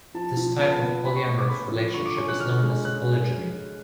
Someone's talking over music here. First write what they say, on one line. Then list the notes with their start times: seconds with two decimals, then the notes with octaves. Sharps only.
This type of polyamorous relationship is known as polygyny.
0.15 F3 A5
0.37 F3
0.59 B3 A5
0.83 B3
1.04 C#3 B5
1.16 C#6
1.27 A3 C#6
1.38 D6
1.49 C#3 B5
1.72 F3
1.94 D3 C#6
2.06 D6
2.17 C#4 C#6
2.28 F#6
2.40 D3 F6
2.62 G#3
2.84 C#3 F#6